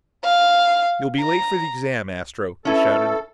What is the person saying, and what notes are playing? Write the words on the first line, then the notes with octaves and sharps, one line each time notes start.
"You'll be late for the exam, Astro!" he shouted.
F5
A#5
C#4 E4 A4 B4